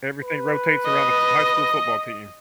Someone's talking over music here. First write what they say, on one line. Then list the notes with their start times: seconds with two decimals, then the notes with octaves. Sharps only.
everything rotates around the f high school football team.
0.23 B4
0.86 D#5